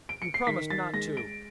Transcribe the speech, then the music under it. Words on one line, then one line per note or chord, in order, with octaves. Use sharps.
"You promised not to!"
D7
C#7
C7
D#3 B6
A6
G#3 A#6
D7